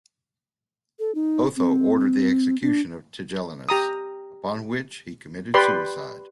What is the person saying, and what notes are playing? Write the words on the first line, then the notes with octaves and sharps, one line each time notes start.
Otho ordered the execution of Tigellinus, upon which he committed suicide.
A4
D#4
C4
D4
G4 A#5 D#6
G4 B4 D5 B5 C6